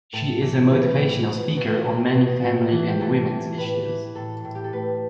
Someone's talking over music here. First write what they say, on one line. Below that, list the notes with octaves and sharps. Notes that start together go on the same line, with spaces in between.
She is a motivational speaker on many family and women's issues.
A2 A4
E3
E3 B4
A2
B2
B2
B2
B2
A2 A4
E3
G4
E3 A4
E3
A2 B4
E3
A2 A4
A2
G4
A4
A2 B4